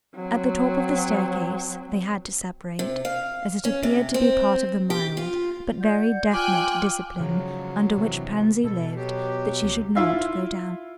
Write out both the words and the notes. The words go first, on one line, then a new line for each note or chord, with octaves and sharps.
At the top of the staircase they had to separate, as it appeared to be part of the mild but very definite discipline under which Pansy lived that she should not go down.
F#3 C4
C3
F5
C#4
C3
C4
G4
F4
D5 F#5 G6
F4 G5 G#5 D6 F6 F#6
C#3 F3 F#3
C3 E3
B2 A4
F#3 G4
C#2
E4 F4 E5 F5